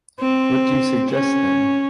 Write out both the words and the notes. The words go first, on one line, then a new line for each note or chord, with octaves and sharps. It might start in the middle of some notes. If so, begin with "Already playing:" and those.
What do you suggest, then?
C4
C#4